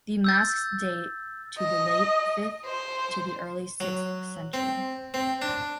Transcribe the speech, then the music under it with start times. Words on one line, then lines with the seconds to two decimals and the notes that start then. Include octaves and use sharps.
The masks date to the late fifth to the early sixth century.
0.24 E6 G6 A6
1.58 D#5
2.65 C5
3.80 F#3
4.53 C4
5.14 C4
5.42 D4